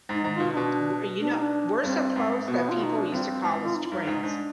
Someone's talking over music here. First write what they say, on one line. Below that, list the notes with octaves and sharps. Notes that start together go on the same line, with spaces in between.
I mean, we're you know, we're so close that people used to call us twins
G#2 D#4
G#2
B2 F4
D#4
B2 D4
D4
D#4
D4
G2 C4
G#2
B2 B3
F4
B2 D#4
D4
G2 C4
G#2
F4
D#4
F4
G2 D#4
G#2 D#4
G#2 D4